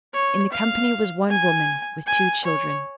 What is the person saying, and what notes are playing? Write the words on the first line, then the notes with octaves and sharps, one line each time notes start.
In the company was one woman, with two children.
C#5
F5
G#5
G#5
C#5